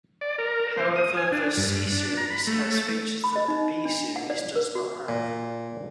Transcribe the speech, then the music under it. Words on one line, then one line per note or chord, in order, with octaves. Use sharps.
However, the "C"-series has features that the "B"-series does not have.
D5
A#4
C5
D#6
G#5
D4
G2
D4
A#5
B5
A3
B5
D#5
D#4
D4
F#5
D5
A#4
F#4
A#2